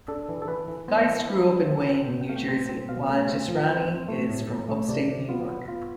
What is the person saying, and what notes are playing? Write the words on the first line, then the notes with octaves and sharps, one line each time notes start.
Geist grew up in Wayne, New Jersey, while Jesrani is from upstate New York.
D4 A4
E3
A4
E3 B4
E3
B3 C5
D5
C5
E3
D4 B4
E3
C4 E5
C4
G5
B2
G5
A3 F5
G5
C4 G5
C4
B2 F5
A3
C4 E5
F3
C4
C4
A3
A2
A2
A3
C3 D5
C3
B3 F4
B3
B3 F4